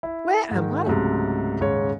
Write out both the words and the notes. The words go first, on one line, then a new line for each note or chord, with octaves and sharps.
"Where am I?"
E4
G#2 D#3
C#2 G#2 C3 F#3 A3
D#1 G#2 C#3 C#5